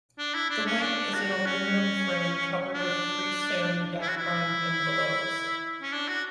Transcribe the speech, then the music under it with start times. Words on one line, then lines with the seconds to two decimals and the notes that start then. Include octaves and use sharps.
The wing is an aluminium frame covered with pre-sewn Dacron envelopes.
0.18 D4
0.34 E4
0.50 D4
0.66 C#4
0.83 D4
1.14 F#4
1.46 C#4
2.74 D4
4.02 E4
4.10 F#4
4.17 E4
5.82 C#4
5.93 D4
6.09 F#4